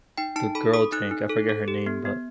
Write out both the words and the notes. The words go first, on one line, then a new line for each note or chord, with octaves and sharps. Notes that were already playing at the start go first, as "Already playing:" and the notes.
the girl tank, I forget her name, but,
D#4 G5
D#4 A5
A4 B5
A4 D#6
D#4 F#6
D#4
A4
A4
G4
B3
B3